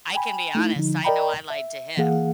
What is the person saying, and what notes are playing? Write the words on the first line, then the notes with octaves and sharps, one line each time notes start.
I can be honest. I know I lied to him
G5 G#5 B5
A3 D#4 E4
D3 F3 D#4
A#4 D5 D#5 G5 A#5 B5
E5
E3 A#3 G#4 F5 F#5